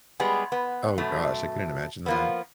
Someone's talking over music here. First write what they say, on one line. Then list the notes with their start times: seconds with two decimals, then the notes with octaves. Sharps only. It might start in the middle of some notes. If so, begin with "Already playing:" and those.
Oh gosh, I couldn't imagine that.
0.20 G3 G#3 B3 G4 G#4
0.52 B3
0.98 F#2 B2 A3
2.06 F3 A#3 B3